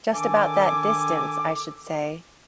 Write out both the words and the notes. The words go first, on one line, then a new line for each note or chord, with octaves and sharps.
Just about that distance, I should say.
D#3 D4 A4 G#5 D6